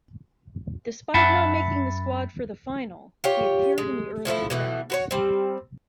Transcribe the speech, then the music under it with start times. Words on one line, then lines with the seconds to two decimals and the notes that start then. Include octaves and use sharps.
Despite not making the squad for the final he appeared in the earlier rounds.
1.14 F#2 E5 F#5 A5 B5
3.24 F4 G4 C#5
3.78 G#3
4.25 A2 F3 A3 E4
4.50 B2 E3 A3
4.90 F#4 B4 C#5
5.11 G3 C4